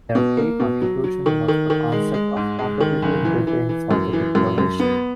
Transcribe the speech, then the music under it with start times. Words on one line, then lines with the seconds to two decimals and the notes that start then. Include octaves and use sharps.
Their key contribution was the concept of competitive bidding for the declaration.
0.15 B2
0.37 A#3
0.60 B2
0.82 F#3
1.04 F#3
1.26 D#3
1.48 D#3
1.70 D#3
1.92 G#3
2.14 G#3
2.36 G#2
2.59 G#3
2.81 D#3
3.02 F#1
3.25 E3
3.47 E3
3.69 E3
3.91 F#2
4.13 E3
4.35 F#2
4.58 F#2
4.80 B3